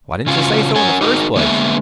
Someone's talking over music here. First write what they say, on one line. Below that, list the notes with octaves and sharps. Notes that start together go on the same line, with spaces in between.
Why didn't you say so in the first place?
C#3 C#4 F4 F#4 F5
C#4 A#4 C#5 F#5 G#5
D#4 F#4 G#4 A#4
D3 G#3 A#3 B3 B4 E5